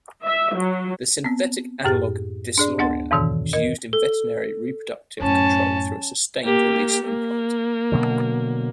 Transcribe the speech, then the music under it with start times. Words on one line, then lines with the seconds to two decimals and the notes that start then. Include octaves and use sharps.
The synthetic analogue Deslorelin is used in veterinary reproductive control through a sustained-release implant.
0.24 E5
0.55 F#3
1.24 B3 C4
1.84 F#2 A2 G4 G#4 A6
2.58 D4 G#4 D5
2.78 D2 B3 D4 F#5 C6 A6
3.11 E2 G#2 B2 D#3 E3 E6
3.53 A#4 D#5
3.93 A4
5.20 F#2 A2 C#4 A5
6.44 A#3 G4
7.04 A#3
7.92 B2 D3 F#3